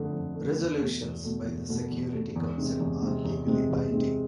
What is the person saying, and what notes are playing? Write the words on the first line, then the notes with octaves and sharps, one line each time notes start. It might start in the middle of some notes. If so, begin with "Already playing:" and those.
Resolutions by the Security Council are legally binding.
Already playing: F2 D3 A3
F2
D3 A3
E2
B2 A3
E2
B2 A3
E2
B2 A3
E2
B2 A3
E2
C3 G#3 C4
E2
C3 G#3 C4
E2
C3 G#3 C4
E2
C3 G#3 C4